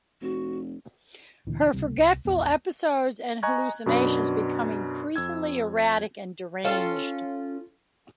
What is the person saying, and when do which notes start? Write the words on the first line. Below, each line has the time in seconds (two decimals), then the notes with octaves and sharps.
Her forgetful episodes and hallucinations become increasingly erratic and deranged.
0.21 F1 F#4
1.47 D2 A#2 D3 E3
1.73 C#2 C3 G3
1.98 C2
2.25 A#1 E2 B3
3.43 D#5 G#5 A#5 C#6 F#6 G#6
3.86 F#2 B2 D4 B5
5.16 F2 E6 G#6
6.64 C#4 F4 A4